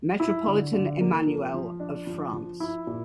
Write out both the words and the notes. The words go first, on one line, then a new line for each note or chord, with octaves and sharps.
Metropolitan Emmanuel of France.
E4
D3
D3
A#3
F3
F3
D4
F3
F3
E4
A#2